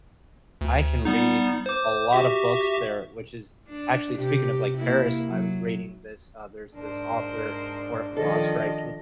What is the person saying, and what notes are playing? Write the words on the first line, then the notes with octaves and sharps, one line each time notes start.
I can read a lot of books there, which is actually speaking of like, Paris, I was reading this uh, there's this author, or a philosopher, I could
D2
G3 B3 D#4
C5 D6
F#4 G4 E5
D4
C3 G4
A#3 E4
F#3
G#2 D4 A#4 C5
D#3 F3 A4 D#5